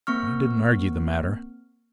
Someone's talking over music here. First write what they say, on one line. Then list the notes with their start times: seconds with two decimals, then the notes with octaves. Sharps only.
I didn't argue the matter.
0.07 A#3 C4 C#6 F6